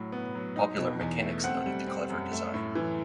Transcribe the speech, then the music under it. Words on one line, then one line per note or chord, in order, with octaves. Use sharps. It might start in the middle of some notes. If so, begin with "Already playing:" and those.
Popular Mechanics noted the clever design.
Already playing: A2 F#3
B3
F#3
D#4
B2
E2
A3
C4 F#5
G3
C4
F#2
A3
A2
E3